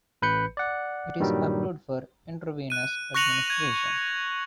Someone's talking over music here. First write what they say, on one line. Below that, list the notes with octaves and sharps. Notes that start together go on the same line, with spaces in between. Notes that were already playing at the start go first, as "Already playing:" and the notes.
It is approved for intravenous administration.
A1 B4 B5 G6 C#7
D5 F#5
G2 A#2 D#3 F#3 G3
F#6 D#7
C#6 F#6 A#6 C#7 F7 F#7
G#6